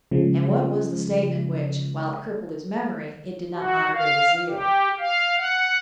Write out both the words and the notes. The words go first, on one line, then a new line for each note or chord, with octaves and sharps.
And what was the statement which, while it crippled his memory, it did not moderate his zeal?
C#3 F3 G#3
F#4
F5
G4
F5
F#5